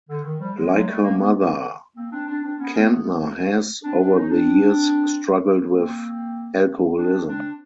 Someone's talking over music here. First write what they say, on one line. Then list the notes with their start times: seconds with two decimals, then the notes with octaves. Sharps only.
Like her mother, Kantner has, over the years, struggled with alcoholism.
0.09 D3
0.24 D#3
0.40 F3 G3
0.56 F#3 G#3
0.71 F#3 G#3
0.87 G3 A3
1.03 G#3 A#3
1.18 A3 B3
1.96 A#3 C4
2.12 C4 D4
2.28 C4 D4
2.43 C4 D4
2.59 B3 C#4
2.74 B3 C#4
2.90 A3 B3
3.84 C4 D4
3.99 C4 D4
4.15 C#4 D#4
4.30 C4 D4
5.72 A#3 C4
6.96 C4 D4
7.27 C4 D4